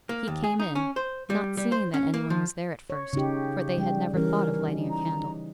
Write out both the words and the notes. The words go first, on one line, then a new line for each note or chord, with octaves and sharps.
He came in, not seeing that any one was there at first; for they had never thought of lighting a candle.
A#3
D#2
G#4
D#4
C#4
C5
G3
G3
C5
C#4
A#3
F3
C#5
C#3 D#4 G4
G3 G5
E3 G3 C#4 A#4
D#4
A#5